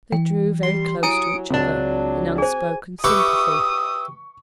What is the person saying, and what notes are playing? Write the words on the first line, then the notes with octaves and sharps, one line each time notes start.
They drew very close to each other in unspoken sympathy.
E3 G5
G3 C6
F#3 E4 G#5 D#6 C#7 D7
C#2 F#3 C4 D4
G#4 C5 G#5
G4 B4 E5 C#6 D#6 E6